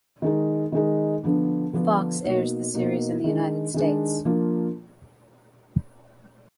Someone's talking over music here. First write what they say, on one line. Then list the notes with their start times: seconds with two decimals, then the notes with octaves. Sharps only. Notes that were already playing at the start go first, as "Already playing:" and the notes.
Fox airs the series in the United States.
0.22 D#3 G#3 D#4
0.72 D#3 G#3 D#4
1.23 D3 F3 B3 D4
1.73 D3 F3 B3 D4
2.24 B2 A#3 D#4 F#4
2.74 B2 A#3 D#4 F#4
3.24 D#3 G#3 D4
3.74 D#3 G#3 D4
4.25 F3 A#3 D4 F4